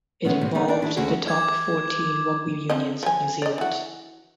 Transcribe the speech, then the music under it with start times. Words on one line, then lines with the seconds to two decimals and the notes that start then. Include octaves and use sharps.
It involved the top fourteen rugby unions of New Zealand.
0.25 C#3 E3 G#3 A3 B3 C#4
0.41 A2 C3 G3
0.55 D3 G3 B3 D#4 B4 C#5
0.68 D4 A#4 D5 G5
0.82 D4 E4 F#4 G#4
0.97 D2 C#3 F#4 G#4
1.28 D6 G#6
2.70 F3 C4 D#5
3.03 F3 G#5
3.42 D5 D#5
3.58 E3 F#4